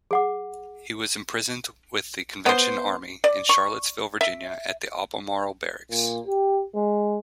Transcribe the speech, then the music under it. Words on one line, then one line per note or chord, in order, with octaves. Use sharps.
He was imprisoned with the Convention Army in Charlottesville, Virginia at the Albemarle Barracks.
G#4 F#5 D6
B3 C5
D5
C#6
E5
A#2
G4
G#3